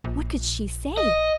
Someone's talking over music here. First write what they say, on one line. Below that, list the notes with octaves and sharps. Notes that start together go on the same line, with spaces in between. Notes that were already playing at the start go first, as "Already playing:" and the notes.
What could she say?
A#1
D#5